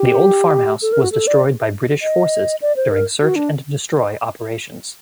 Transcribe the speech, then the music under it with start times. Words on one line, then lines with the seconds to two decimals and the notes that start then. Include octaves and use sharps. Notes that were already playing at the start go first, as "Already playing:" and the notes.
The old farmhouse was destroyed by British Forces during search and destroy operations.
Already playing: G4
0.82 A4
0.92 A#4
1.02 F#4
1.12 A4
1.27 D5
2.02 D#5
2.62 D5
2.76 C5
2.91 A#4
3.21 F#4
3.36 D4